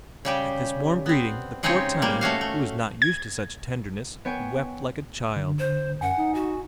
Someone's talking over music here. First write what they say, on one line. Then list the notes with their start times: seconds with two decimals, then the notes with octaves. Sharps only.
At this warm greeting, the poor Tunny, who was not used to such tenderness, wept like a child.
0.25 C#3 G3 G4
1.06 B3 C4
1.63 C#3 G#3 C4 D#4 G4 C#5
2.02 A#2 G3 A#3
2.21 A3 C#4 F#4 F5
2.41 A3
3.02 G#6
4.25 B3 C#5 G5 G#5
5.37 D3
5.59 C5
6.01 F#2 F#5 G#5
6.18 D#4
6.35 F#4